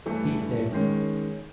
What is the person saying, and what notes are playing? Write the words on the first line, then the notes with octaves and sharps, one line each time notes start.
He said ...
G2 E3 A3
D#3 G#3 C#4